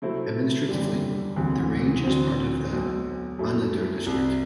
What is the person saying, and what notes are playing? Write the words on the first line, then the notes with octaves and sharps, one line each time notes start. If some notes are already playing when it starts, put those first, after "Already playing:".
Administratively the range is part of the Anadyr District.
C3 F#3 A3 C4 E4
F#1 E2 D3 G3
E1 D2 C3 E3
D2 D3 F#3 C4
B1 B2 F#3
F#2 F#3 A3 E4
C2 C3 F#3